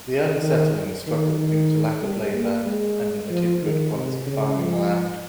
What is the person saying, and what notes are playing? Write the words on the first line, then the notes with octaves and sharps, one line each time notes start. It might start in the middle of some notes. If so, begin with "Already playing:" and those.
The early settlement struggled due to lack of labour and limited good-quality farming land.
D#3
D#3
D#3
G3
A#3
G#3
F3
D#3
C3
C#3
F3